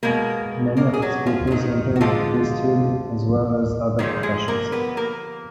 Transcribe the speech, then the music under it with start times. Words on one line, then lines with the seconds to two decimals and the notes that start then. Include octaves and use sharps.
Many of its pupils entered the priesthood as well as other professions.
0.03 B2 G#3 A#3 A#4
0.77 A#3 A#4
0.94 G#4
1.02 F#3 F#4
1.26 F3 F4
1.47 F4
1.51 D#3 D#4
1.96 F#4
2.00 D3 F3 G#3 F4
3.99 D3 D#3 F3 G#3 D#4
4.23 G#3 G#4
4.48 A#3 A#4
4.72 B3 B4
4.97 A#3 A#4